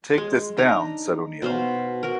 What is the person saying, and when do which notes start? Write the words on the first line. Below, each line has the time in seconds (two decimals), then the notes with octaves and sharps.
"Take this down", said O'Neal.
0.14 G#3 C6
0.57 D4 D#4 A#5
1.42 B2 C5 F5
2.03 F#4 A#4